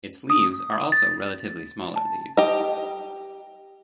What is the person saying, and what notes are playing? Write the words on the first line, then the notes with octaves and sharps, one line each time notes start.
Its leaves are also relatively smaller leaves.
D#6
A6
A5
G4 D#5